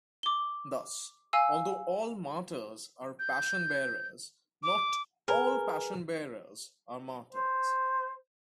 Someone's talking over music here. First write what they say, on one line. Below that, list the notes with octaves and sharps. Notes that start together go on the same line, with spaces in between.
Thus, although all martyrs are passion bearers, not all passion bearers are martyrs.
D6 G7
F5 G#5 E6
G6
D6
G#4 A#4 B4 G#5
C5